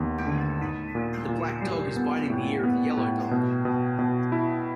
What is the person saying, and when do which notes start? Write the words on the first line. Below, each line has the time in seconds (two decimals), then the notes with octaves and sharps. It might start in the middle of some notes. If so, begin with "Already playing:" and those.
The black dog is biting the ear of the yellow dog.
Already playing: D#2 B3
0.27 D3
0.61 D#4
0.95 A#2
1.29 A#2
1.62 G3
1.96 B3
2.30 A2
2.63 B3
2.97 A2
3.31 B2
3.65 B2
3.99 B2
4.32 E4